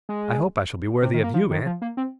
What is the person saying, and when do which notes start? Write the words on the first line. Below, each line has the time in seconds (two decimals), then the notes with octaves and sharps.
'I hope I shall be worthy of YOU, aunt.
0.09 G#3
1.03 C3
1.14 D#3
1.23 A#3
1.34 F3
1.50 D#3
1.66 F3
1.82 A#3
1.97 C4